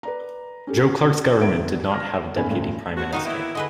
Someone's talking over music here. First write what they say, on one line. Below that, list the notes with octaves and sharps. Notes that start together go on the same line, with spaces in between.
Joe Clark's government did not have a deputy prime minister.
B4 D5 A#5
C#4 G4 A4
E2 D3 B4 E5 G#6 D7
F6 A#6
F#1 B1 C#4 G#5 B5
A1 D2 G2
D2 F#4
D#3 D#4 F#4 F5
A#3 B3 D#4 E4
D3 G#4 B4 D#5